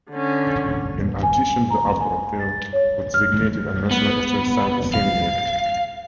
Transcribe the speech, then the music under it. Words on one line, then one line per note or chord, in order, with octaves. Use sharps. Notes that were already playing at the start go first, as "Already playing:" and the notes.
In addition, the Arboretum was designated a National Historic Site the same year.
D3 C#4
G#5
A#5
G#5
A6
C#5
F6
B3
F5